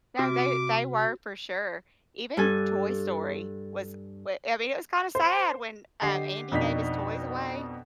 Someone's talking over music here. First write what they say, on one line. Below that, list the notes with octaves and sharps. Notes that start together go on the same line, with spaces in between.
No, they they were for sure. Even Toy Story was w I mean, it was kinda sad when, um, Andy gave his toys away,
C3 F#4 D6
G2 A4 G#5
C5
D3 G4 D#5 C7
F2 B2 D4 D#4 B6